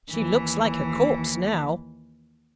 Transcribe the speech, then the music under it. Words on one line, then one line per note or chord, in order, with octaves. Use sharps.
She looks like a corpse now.'
D#2 E3